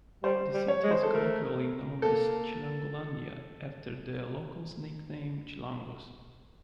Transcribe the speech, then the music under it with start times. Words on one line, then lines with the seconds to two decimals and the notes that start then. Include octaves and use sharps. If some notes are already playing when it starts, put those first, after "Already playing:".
The city is colloquially known as "Chilangolandia" after the locals' nickname "chilangos".
0.24 G3 C5
0.54 G3
0.68 C#5
0.83 G#3
0.91 C5
1.03 A4
1.13 A3 A#4
2.02 A#3 A4